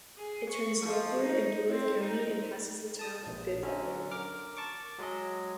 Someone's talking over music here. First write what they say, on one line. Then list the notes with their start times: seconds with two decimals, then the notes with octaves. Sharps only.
It turns northward in Blue Earth County and passes the town of Good Thunder.
0.18 G#4
0.49 C#6
0.82 F3
1.23 D#4
1.68 C4
2.01 D#4
2.99 A5 D#6
3.26 A#1
3.63 D3 F#3 C#4
4.11 A#4 D6 F6
4.57 A5 C#6 D6
4.98 F#3 G#3 G#4 D#5